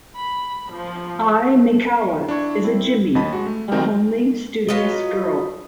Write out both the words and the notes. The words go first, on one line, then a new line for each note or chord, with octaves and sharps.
Ai Maekawa is a "jimi", a homely, studious girl.
B5
F3
D4 E4 C#6 G#6
C4 E4
D#2 D#5 A5 B5
G#3 F#4
A3
D#3 F#3 G3 C4 D#4 A#4
F#3 F4 B4 D#5